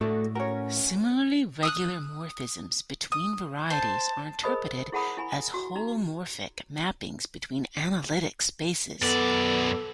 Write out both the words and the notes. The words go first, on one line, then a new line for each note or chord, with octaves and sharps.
Similarly, regular morphisms between varieties are interpreted as holomorphic mappings between analytic spaces.
A2 A3 F#4 A4 D5
C#4 F#4 A#4 C#5
D#6 E6 F#6
D#6
C5 A5
G#4 A#4 C5 D#5 B5 D#6
E4 G#4 F#5 A5 B5 D#6
E4 G#5 A#5 B5
F#4
D#4 A#5
F#2 B3 A4 D5